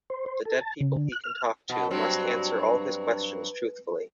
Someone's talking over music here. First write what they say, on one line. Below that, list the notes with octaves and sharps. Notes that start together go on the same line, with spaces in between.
The dead people he can talk to must answer all his questions truthfully.
C5
C5
A4
A5
C#3
D3
F#6
F6
B2 F#5
G2 F#3 C4 F#4
B4